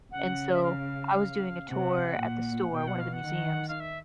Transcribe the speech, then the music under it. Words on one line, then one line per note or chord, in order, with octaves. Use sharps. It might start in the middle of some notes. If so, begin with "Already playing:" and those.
and so I was doing a tour at the store- one of the museums-
C#3 F#5
E5
F5
C3 F#5
A#2
B2 G5
F#5
F5
F#5
D#3
F5
E5